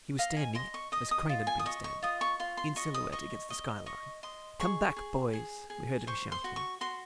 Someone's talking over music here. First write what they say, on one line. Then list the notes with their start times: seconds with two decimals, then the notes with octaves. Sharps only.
He was standing as Crane had been standing, in silhouette against the sky-line. "Come back, boys," we heard him shouting.
0.19 D#5 F5
0.37 G#5
0.55 D#5 C6
0.74 C#6
0.92 D#5 D#6
1.11 D#6
1.29 F4
1.47 G#5
1.59 D#6
1.65 D#5 C#6
1.84 C#6
2.03 F4 D#6
2.21 C#6
2.40 F4 C6
2.57 C6
2.76 D#5 C#6
2.94 D#6
3.12 D#5 C#6
3.50 D#5
3.86 D#5 C#6
4.23 D#5 C6
4.60 G#4 C#6
4.96 G#4
5.33 G#4
5.70 G#4
6.07 C5 C#6
6.32 C6
6.44 F#4
6.56 C#6
6.81 F#4 C6